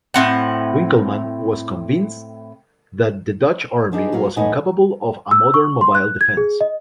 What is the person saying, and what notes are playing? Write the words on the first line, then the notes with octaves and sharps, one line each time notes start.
Winkelman was convinced that the Dutch army was incapable of a modern, 'mobile' defence.
A2 C4 F#5
B3 D4 D#4 G#4
A#2 F#3 F#4 B4 C#5 F5
E2 A2 D#4 B4 F#5 G#5
E6
C#6
C6
F#6
G#6
G#4
D#5